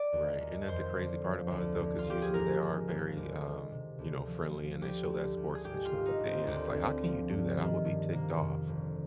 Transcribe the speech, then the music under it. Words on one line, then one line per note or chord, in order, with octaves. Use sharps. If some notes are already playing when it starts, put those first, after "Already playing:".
Right, ain't that the crazy part about it, though? 'Cause usually they are very, um, you know, friendly, and they show that sportsmanship at the end, it's like, "How can you do that?" I would be ticked off.
Already playing: D5
D#2
D#3
F2 C5
D3
F3
D2
D3
F4
F3 G4
G#4
G#1 A#4
G#1
G#1
D2
D#3
C3
D2
F3
F3
D2 G4
D2
D2
G#4
G#1 G4
F4
G#1
D#4
G#1
C4
D2 C4
D2
F3
G2
D#3
G2
C3 A#3
F2
G1